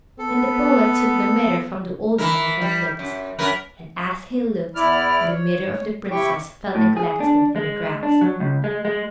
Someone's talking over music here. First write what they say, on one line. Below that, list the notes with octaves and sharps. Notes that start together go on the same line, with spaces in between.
And the poet took the mirror from the old man and looked; and, as he looked, the mirror of the princess fell neglected in the grass....
B3 A4
E3 E4 A#4
G3
F#2
F#2 A#4 B4
E2 E4 D5 F6
C#5
C3 E4 G4 G5 C#6
A2
G#4
D4
G#3
D4
F#3
C#2
G#3
G#3